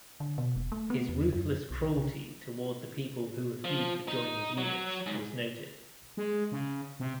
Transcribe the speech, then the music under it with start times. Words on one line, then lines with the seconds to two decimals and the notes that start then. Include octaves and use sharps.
His ruthless cruelty toward the people who refused to join his units was noted.
0.20 D3
0.38 B2
0.56 E1
0.72 A3
0.90 B3
1.09 E2
1.33 F#2
1.71 B1
1.97 C#3
3.64 F3
4.08 D#4
4.58 F#3
5.06 G#2
6.17 G#3
6.52 C#3
7.00 C3